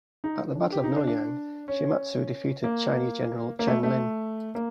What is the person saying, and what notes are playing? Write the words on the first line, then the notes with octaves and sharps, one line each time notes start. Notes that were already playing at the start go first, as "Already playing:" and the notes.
At the Battle of Noryang, Shimazu defeated Chinese general Chen Lin.
D#4
D4
G4
D#4
D4
D4
C#4
A#3
A#3
A3
A3
A#3